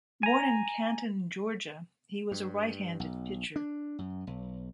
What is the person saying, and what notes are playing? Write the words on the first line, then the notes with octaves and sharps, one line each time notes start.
Born in Canton, Georgia, he was a right-handed pitcher.
G#5 A#5
G2
B1
D4
F#2
B1